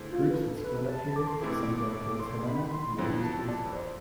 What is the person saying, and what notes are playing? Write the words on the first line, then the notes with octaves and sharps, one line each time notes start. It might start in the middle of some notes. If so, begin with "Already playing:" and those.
Groups would split up here, with some going towards Helena, others towards Butte.
Already playing: D3 A3 E4 G#4 C5
F4
B4
A4
B4
A5
D6
C6
B2 A3 C4 E4 G#4 D6
C6
B5
C6
F2 D3 F3 B3 E4
A5
D5
C5